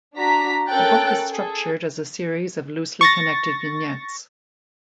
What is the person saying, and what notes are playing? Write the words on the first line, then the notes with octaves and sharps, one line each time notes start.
The book is structured as a series of loosely connected vignettes.
D4 F#4 A#5 B6
C#4 A4 A#4 G5 F#6 A6
G#4 A4
C#6 A6 A#6